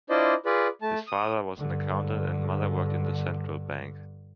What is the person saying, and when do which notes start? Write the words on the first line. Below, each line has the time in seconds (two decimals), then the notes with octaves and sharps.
His father was an accountant and mother worked in the Central Bank.
0.10 D4 E4 F4 C5 D5 D#5
0.46 F4 G#4 B4 D5 B5
0.82 A3 A5
1.07 D#6
1.58 G2 D3